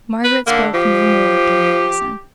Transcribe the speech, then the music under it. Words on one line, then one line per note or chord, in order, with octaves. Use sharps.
Margaret spoke no more during the lesson.
B4
D3 A#3
F3 G4